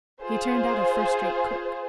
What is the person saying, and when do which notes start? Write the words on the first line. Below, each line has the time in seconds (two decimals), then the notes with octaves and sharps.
He turned out a first-rate cook.
0.22 F4 G#4 C5